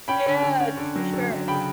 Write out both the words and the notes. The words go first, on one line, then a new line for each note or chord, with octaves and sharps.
Yeah, it's for sure.
C#4 G5 B5
D3
D3
C#4
D3
F#3
D3
F#3
C#3 G5 B5